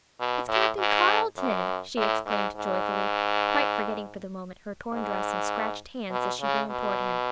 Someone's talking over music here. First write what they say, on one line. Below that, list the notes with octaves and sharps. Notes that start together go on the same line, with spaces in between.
"It's Captain Carleton!" she exclaimed joyfully, quite forgetting for the moment her torn dress and scratched hands as she ran toward him.
B2
A2
G#2
F#2
A2
G#2
G#2
G#2
B2
C#3
B2